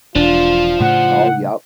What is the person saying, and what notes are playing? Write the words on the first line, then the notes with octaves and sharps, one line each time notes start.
Oh, yep.
E1 F3 D4 F4
A2 C#3 A3 F#5